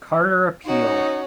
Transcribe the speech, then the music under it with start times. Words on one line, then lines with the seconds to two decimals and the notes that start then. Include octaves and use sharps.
Carter appealed.
0.65 C#4 D#4 F#4